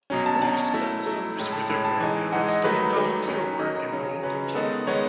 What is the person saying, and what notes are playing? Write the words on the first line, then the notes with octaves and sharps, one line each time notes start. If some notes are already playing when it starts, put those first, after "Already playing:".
Rule spent summers with her grandparents doing volunteer work in the local jail.
B2 F#3 C#4
A5
B2 F#3 C#4 A5
A5
F#3 A3 E4
F#3 A3 E4
A2 G#3 C#4 E4 B5
A5
A2 G#3 C#4 E4 B5
A5
E3 G#3 D#4 G#5
E3 G#3 D#4 F#5
D#5
D#3 F#3 A3 B4
D#3 F#3 A3
D#3 F#3 C#4
D#3 F#3 C#4 D#5
D#5
C#3 F#3 C#4
C#3 F#3 C#4 B4
D#3 G#3 B3 D#4 A4
D#3 G#3 B3 D#4 C#5